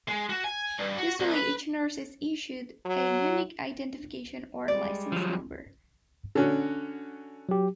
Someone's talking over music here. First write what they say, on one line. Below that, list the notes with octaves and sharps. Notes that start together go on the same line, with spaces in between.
Usually each nurse is issued a unique identification or license number.
G#3
F#4
G#5
G2
F#4
C2
B4
F#3
G3 G#3 D5
F3 F#3
D3 C#4 F#4
F#3 G4